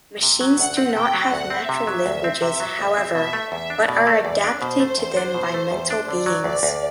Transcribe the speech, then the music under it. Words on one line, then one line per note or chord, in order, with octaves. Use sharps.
Machines do not have natural languages, however, but are adapted to them by mental beings.
C3
F#3
D2 F#5
C4
C3 G5
F#3
D2 F#5
C4
C3 E5
F#3
D2
C4
C3
F#3
D2
C4
B2 E5
A3
E2 E5
D4
B2 D5
A3
E2
D4
B2 C5
A3
E2
D4
B2
A3
E2
D4
D3 D5
F#3
D2 D5
D2